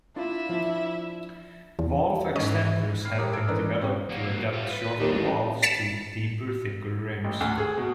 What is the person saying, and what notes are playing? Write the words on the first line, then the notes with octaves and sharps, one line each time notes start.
Valve extenders have been developed to adapt shorter valves to deeper, thicker, rims.
D4 E4 F4 E5
F3 D4
E2
G#2 E3 C#4 D#5
B5 F6 C7
G4 A#4 C#5 D6 D#6 F#6
A4 A5 E6 G#6 D7
E3 C#4 D4 A#4 B4
D4
C#3 C4 C#4 G4 C#5
F#3 A#3
G3 F4
B4
D#2 D4 D#4
A1
A6 B6 C#7 E7
A1
D2
G#4
B2